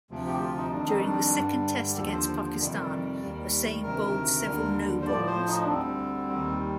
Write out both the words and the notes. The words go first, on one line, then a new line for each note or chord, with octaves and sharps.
During the second Test against Pakistan, Hossain bowled several no-balls.
D2 C3 F3
G4
F4
D#4
F2 D#3 G3 D4
D#4
D4
G2 D3 G3
G4
D#2 D3 F3 A4
C5
C5
F2 C3 D#3 G3
D#2 D#3 G3
D2 C3 D#3 A#4
D#2 D3 G3
C5
A2 F3 D5
C5
D#4
D4
D2 D3 G3 C4
D#2 D#3 G3